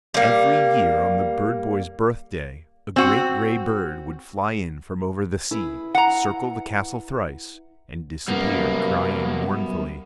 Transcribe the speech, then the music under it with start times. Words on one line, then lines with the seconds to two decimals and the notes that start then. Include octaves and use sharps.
Every year, on the bird-boy's birthday, a great gray bird would fly in from over the sea, circle the castle thrice, and disappear, crying mournfully.
0.14 G3 A#3
2.96 C4 F#4
5.51 E4 G#4 B4
5.95 F#5 A#5
8.28 C2 F#2 G3 A#3 B3